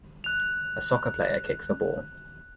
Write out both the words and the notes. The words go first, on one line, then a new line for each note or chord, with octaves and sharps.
A soccer player kicks a ball.
F#6 F7